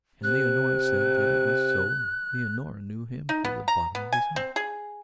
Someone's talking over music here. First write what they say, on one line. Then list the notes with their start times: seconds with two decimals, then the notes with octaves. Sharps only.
And Leonora said that it was so and Leonora knew him to the bottom of his heart.
0.23 C3 F#6
3.29 D#4
3.45 B3
3.68 A#5
3.95 B3
4.13 G#5
4.36 C4
4.56 G#4